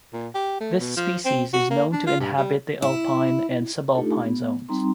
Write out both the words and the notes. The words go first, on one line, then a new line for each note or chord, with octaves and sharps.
This species is known to inhabit the alpine and subalpine zones.
A#2
G4
A3
B2
F3
C4
F#4
A#3
D4
F4
G2
G3
E4
A3 D4 D#4 F4 G4 A4
B3
G3 C4 D#4 A#5 C6